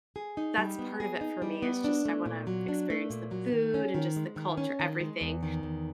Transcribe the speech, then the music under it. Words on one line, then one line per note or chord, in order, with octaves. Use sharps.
that's part of it for me, is just I wanna experience the food and, just, the culture everything,
G#4
D#4
G3
B3
G#4
D#4
G3
B3
D4
A3
A#2
F#3
D4
A3
A#2
F#3
D#3
C#4
D#3
G#3
D#3
C#4
D#3
G#3
E2
D#3
E2